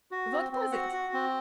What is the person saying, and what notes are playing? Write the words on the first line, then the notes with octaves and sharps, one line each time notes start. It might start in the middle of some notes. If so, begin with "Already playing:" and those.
"What was it?"
F#4
C4
C4
F#4 F#5
F#4
C4